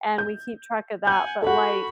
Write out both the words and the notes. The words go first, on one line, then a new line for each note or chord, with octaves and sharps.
and we keep track of that, but, like,
G6
F#5 G#5 G6
F#4 A4 F#5 B5